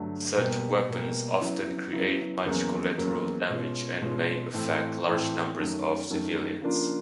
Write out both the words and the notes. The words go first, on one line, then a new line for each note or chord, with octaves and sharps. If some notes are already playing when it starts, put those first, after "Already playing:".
Such weapons often create much collateral damage and may affect large numbers of civilians.
Already playing: G2 D3 F#3 A3
B2 G3 A#3
B2 G3 A#3
C#3 F#3 B3 E4
C#3 F#3 B3 E4
E2 C#3 F#3 A#3
E2 C#3 F#3 A#3
B2 G#3 C#4 F4
B2 G#3 C#4 F4
A2 E3 A3 C4
A2 E3 A3 C4
F#2 D#3 F#3 A3
F#2 D#3 F#3 A3
C#3 F3 A#3 D4 F4